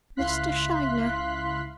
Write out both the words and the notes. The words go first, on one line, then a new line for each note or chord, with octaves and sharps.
"Mr. Shiner."
C#2 E4 F5 C6 F#6 B6